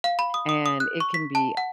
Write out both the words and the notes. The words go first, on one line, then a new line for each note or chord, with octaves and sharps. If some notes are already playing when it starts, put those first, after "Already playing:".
and it can be
F5
B5
D#6
D#6
D#6
F#6
C#6
B6
A5
F#5